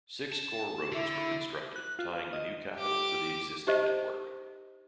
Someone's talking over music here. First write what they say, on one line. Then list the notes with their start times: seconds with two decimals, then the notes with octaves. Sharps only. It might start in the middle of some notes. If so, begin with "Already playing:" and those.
Six core roads were constructed tying the new capital to the existing network.
0.32 A5
0.92 D3 E4
1.76 F#6
1.99 F4
2.33 D#5
2.76 G4 D6
3.67 D#4 G4 C5 D#5